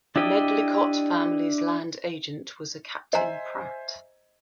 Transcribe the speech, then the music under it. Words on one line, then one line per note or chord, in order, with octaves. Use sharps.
The Medlycott family's land agent was a Captain Pratt.
D4 E4 G4 D#5
C5 D#5 E5 G#5 A#5